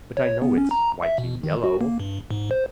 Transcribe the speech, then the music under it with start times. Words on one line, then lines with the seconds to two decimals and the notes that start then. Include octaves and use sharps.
But I know it's whitey yellow.
0.17 C#5
0.42 B3
0.58 C#4
0.71 A#5
1.03 E5
1.18 B2
1.44 D#3
1.64 F#4
1.81 A#3
2.00 G2
2.31 G#2
2.51 C5